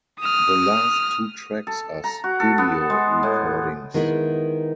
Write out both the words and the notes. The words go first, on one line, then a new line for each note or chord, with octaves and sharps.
The last two tracks are studio recordings.
D#6 F6
A4
A#5
F#4
A4
B3
G#3
A2
D#3 G#3 B3 E4